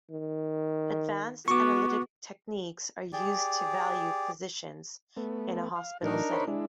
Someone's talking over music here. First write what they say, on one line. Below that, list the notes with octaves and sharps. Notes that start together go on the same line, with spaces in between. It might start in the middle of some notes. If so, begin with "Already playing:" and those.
Advanced analytic techniques are used to value physicians in a hospital setting.
D#3
B3 F#4 C#6 D6
G4 G#4 D5
A3 B3
F5
A2 E3 F#3 D4 D#4 A#4
C5 C#5 B5
G#3 D4 E4